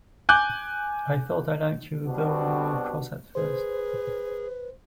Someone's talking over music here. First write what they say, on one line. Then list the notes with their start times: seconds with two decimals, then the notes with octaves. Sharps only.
I thought I liked you, though you were cross at first.
0.29 G#5 D6 F#6 G6
2.05 B2 G3 B3 C4 D4 F#4
3.35 G#4 B4 C5